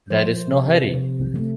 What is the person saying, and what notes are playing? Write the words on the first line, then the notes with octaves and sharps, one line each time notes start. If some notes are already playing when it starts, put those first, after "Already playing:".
There is no hurry.
F3 C5
C3
C3
A3